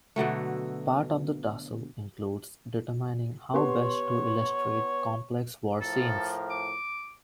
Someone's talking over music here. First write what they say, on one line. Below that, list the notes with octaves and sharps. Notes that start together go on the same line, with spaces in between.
Part of the tussle includes determining how best to illustrate complex war scenes.
B2 D3 F#3 A3
B3 G4 C#5 C6
A2 F3 A4 A#4
D6